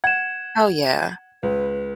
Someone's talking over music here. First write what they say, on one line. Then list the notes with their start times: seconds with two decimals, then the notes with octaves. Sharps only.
Oh yeah.
0.04 F#5 G#6 E7
1.43 C#2 B4